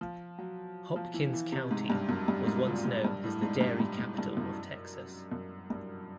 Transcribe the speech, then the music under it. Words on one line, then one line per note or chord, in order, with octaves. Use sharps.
Hopkins County was once known as the Dairy Capital of Texas.
F3
F#3
F3
E3
E3
C3
G#2
G2
F#2
G2
G#2
A#2
G#2
G2
A2
G#2
G2
G2
G#2
G2
F#2
F#2
G2